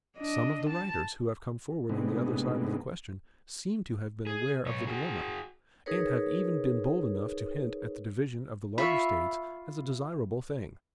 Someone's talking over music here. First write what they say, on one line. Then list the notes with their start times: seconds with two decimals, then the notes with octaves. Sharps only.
Some of the writers who have come forward on the other side of the question seem to have been aware of the dilemma; and have even been bold enough to hint at the division of the larger States as a desirable thing.
0.17 D4 D#5
0.69 A5
1.89 A2 C3 G#3 B3 D4 D#4
4.27 G#4
4.66 B1 C#5
4.87 F#4 G#4
5.86 D#4 G#4 A#4 B4 C#5
8.78 F4 E5 B5 C#6